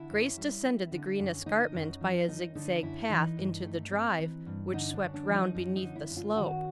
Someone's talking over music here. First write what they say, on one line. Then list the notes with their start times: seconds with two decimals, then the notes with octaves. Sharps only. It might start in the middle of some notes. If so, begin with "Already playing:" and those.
Grace descended the green escarpment by a zigzag path into the drive, which swept round beneath the slope.
Already playing: D3 E4
0.10 F#2
0.37 G3
0.64 C4
0.92 D3
1.19 F#2
1.46 D3 D#4
1.73 F#2
2.01 F3
2.28 F#2 D#4
2.55 D3 D#4
2.82 F#2 E4
3.10 E3 D#4
3.37 G2
3.64 A3
3.91 C4
4.19 E3
4.46 G2
4.74 D3 D#4
4.94 D4
5.01 F#2
5.14 D4
5.27 F3
5.34 D#4
5.55 F#2 D#4
5.76 D#4
5.82 D3
5.96 E4
6.10 F#2
6.17 F4
6.36 D#3 F#4